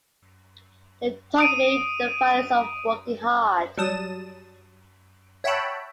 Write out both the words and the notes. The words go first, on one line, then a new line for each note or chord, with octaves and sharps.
They taught me the values of working hard.
D#6 D7 D#7
F#3 G3 A5 D#6 E7
C#5 E5 F#5 G5 A5 B5